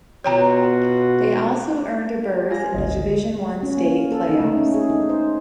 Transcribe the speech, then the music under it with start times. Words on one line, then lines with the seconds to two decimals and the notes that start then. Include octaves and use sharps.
They also earned a berth in the Division One State playoffs.
0.24 B2 F4 F#4 C#5 G5 A#5
2.29 G4
2.49 F4 G#5 A#6
2.74 G#1 D2 D#5
3.63 C#4
3.77 A#3
4.12 A4
4.29 D#4
4.40 A3
4.57 C#4
4.74 G#4
4.90 D#4
5.09 C5